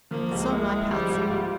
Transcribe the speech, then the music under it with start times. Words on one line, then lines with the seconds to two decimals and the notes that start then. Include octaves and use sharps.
"And so am I, Patsy."
0.11 F3 A#3
0.32 C#2
0.51 G#3 E4
0.70 E4
0.91 F3 G3
1.11 G#2
1.30 F4